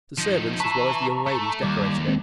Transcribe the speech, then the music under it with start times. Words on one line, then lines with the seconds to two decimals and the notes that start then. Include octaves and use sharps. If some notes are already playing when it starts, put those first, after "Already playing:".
The servants, as well as the young ladies, decorated it.
0.18 F3 D#4
0.60 B4 E5 A5 A#5 C#6
1.27 A3
1.63 D#2 G3 D6 G#6
2.08 G#3 C4